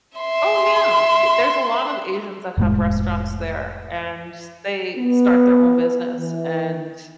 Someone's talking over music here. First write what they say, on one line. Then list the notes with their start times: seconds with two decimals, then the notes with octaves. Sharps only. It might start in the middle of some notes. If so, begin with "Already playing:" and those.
Oh yeah! Well there's a lot of Asians that have restaurants there and they start their own business and
0.18 E5 C6
2.58 F1 A2 G#3
4.97 B3
6.18 E3